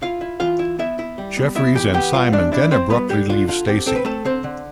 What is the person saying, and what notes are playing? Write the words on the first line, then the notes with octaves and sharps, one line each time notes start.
Jeffries and Simon then abruptly leave Stacey.
E4 F4 F5
E4
E3 F4 F5
E4
B3 E4 E5
E4
G3
B3
B3 E4 E5
E3 G4 G5
B3 G4 G5
G3 F4 F5
E3 D4 D5
D4 E4 D5
C4 E4 C5
G3 B3 B4
D3 G4
D3 F4
D3 F4
C4 G4
C4 A4
B4
A3 C4 A4
D3 C4 C5
D3